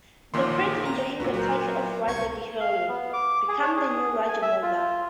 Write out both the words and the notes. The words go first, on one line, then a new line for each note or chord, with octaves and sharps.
The prince enjoying the title of Raja di-Hilir, becomes the new Raja Muda.
A#1 A#2 D#3 C6
A#5
C#2 A#2 F#4 B4
F#3 A#4 C5
C2 C#6 G#6
F5
B3
D6
G#4
C#5
G#4
G#5
E5
F4